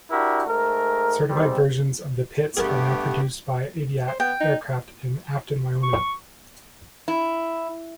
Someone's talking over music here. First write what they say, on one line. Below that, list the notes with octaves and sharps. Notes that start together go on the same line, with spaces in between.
Certified versions of the Pitts are now produced by Aviat Aircraft in Afton, Wyoming.
D4 E4 F#4 G4 A#4
G#2 A3 A#4
G#2 G3 C4
G2 A3 B3 G4 G#4 A#4 A5
C5
B3 G5
D#4
C#6
E4